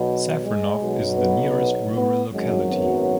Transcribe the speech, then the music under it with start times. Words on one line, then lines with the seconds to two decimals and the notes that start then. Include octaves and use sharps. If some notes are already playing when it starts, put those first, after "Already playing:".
Safronov is the nearest rural locality.
Already playing: B1 B2 F#3
0.42 G#3
0.80 B1 B2 F#3
1.18 B3
1.95 B3
2.32 G#1 F#2 F#3 G#3
2.71 B3